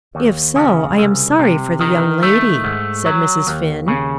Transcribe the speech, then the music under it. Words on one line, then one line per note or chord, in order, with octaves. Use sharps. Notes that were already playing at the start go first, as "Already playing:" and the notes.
"If so, I am sorry for the young lady," said Mrs. Finn.
D#2
C#3
C2
C3
D#3
A3
G#2
F#3
D#2
C#3